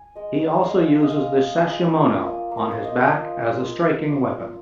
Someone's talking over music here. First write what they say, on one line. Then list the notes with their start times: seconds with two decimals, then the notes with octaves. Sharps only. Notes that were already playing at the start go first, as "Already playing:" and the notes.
He also uses the sashimono on his back as a striking weapon.
Already playing: G#5
0.15 G#3 D#5
0.63 G#3 F5
1.02 D#5
1.10 G#3 F5
1.56 F4 G#5
1.70 A#5
1.84 G#5
2.04 A#3
2.51 A#3
2.57 A#4
2.71 C5
2.85 D#5
2.98 F3 F5
3.45 D#4
3.92 F3
4.40 F4